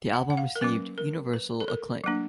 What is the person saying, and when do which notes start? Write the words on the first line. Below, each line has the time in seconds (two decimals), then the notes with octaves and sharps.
The album received Universal Acclaim.
0.13 F#5
0.30 F#5
0.37 F5
0.56 A#4
0.61 F#3 A#3 C#4 B4
0.98 A#4
1.33 B4
1.60 A4
1.68 A#4
2.04 F#3 A#3 D4